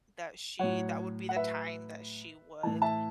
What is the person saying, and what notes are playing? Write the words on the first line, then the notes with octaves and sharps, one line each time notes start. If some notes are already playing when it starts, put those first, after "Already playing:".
that she that would be the time that she would,
A2 F#3 C#5 F#5
F#5
B4 E5
A2 E3 A5
E5 A5